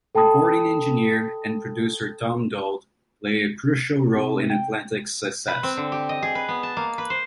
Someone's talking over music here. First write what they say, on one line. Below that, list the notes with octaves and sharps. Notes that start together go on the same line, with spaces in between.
Recording engineer and producer Tom Dowd played a crucial role in Atlantic's success.
A4 G5 A5 B5 D#6
C3
G5
B4
C4
D3
G4
D#5
G#4
B4
B3
A5
A#3
B4
C5